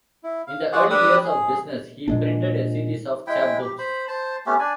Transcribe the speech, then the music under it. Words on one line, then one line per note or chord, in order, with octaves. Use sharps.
In the early years of business, he printed a series of chapbooks.
E4
F5
G#3 F4 F#4 G#4 D5 F#5
D4 G4 B4 D5 D#6 E6
G#4
A#2 G#3 D4
G#3 E4 G5
G4
C5 B5
C5 A5
A3 B3 C#4 G4
D4 D5 G#5